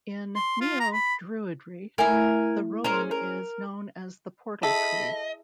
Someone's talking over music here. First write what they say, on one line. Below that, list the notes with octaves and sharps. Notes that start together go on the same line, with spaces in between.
In Neo-Druidry, the Rowan is known as the Portal Tree.
C6
F4
A#5
B5
A3 E4 A#4 G#5
C#4 G#4 A#4 C5
A#4
E4 G#4 A4 D#5 E5 B5